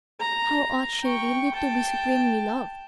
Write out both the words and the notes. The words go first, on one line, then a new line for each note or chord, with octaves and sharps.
How ought she really to be supremely loved!
A#5
G5 C#6
G5 A5